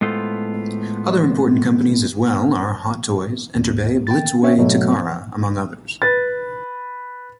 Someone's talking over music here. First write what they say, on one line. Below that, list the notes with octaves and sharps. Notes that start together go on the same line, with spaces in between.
Other important companies as well are Hot Toys, Enterbay, Blitzway, Takara among others.
A2 G#3 B3 F4 A4 C5
D#2
G5 A6
C4 C#4 F#4 C#5 E5
G#2 B2 F#3 A3
B4 A6